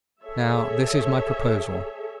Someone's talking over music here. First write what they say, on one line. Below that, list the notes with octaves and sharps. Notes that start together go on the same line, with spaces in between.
Now, this is my proposal.
G#4 A4 C#5 E5